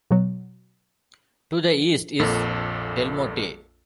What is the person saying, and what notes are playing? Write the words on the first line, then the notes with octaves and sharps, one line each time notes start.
To the east is Delmotte.
B2 F#3
A#1 F2 A#2 A4